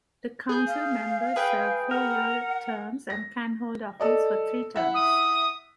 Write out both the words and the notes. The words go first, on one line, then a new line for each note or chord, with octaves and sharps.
The council members serve four year terms and can hold office for three terms.
G#4 G6
F5
G#4 B4 G5
A#4 F#5
A#6
A4 D5 D#5
E4 E5 F#5
D#6